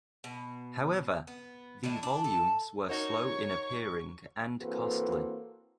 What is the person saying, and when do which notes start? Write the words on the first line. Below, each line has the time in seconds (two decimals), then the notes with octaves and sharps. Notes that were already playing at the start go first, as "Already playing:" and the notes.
However, the volumes were slow in appearing and costly.
0.24 B2
1.27 B3
1.83 A2 D#3 D4 E4
2.03 D4
2.24 A4
2.89 D#4 F#4 A#4 C#5 C#6
4.62 E3 A#3 C4 F#4 A4 B4